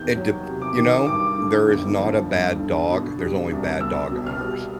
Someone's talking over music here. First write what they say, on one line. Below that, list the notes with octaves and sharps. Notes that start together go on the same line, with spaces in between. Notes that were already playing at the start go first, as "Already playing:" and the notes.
It dep you know? There is not a bad dog, there's only bad dog owners.
Already playing: E2 C3 D#3 G6
F#3
C3
D6
D#3
G2 D6
D3
G1
F3
G2
D3
B2
G3
C2
B3 E6
B2
F6
G3